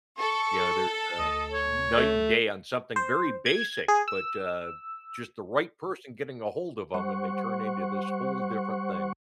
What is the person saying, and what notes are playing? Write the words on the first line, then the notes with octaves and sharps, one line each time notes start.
You know, there's a night and day on something very basic, but, uh, just the right person getting a hold of 'em and they turn into this whole different thing.
A4 C#6
D2 D#5
C#5
A3
C5
G#6
G#4
E6
G3 C5 F#5 C#6